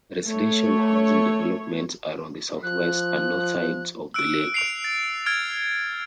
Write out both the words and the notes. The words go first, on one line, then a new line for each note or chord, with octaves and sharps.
Residential housing developments are on the southwest and north sides of the lake.
A3 C#5
F3 F#6
E6 F#6 D7
C7 D7 F7
A6
F6 G#6 A6 D7